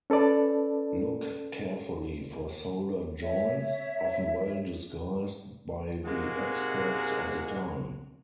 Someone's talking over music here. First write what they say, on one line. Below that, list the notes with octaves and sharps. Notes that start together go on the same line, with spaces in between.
Look carefully for soldered joints, often well-disguised by the experts of the time.
C#4 A4 B4 D5 A5
C#5 E5
C3 G#3 A#3 D#4 F#4 G#4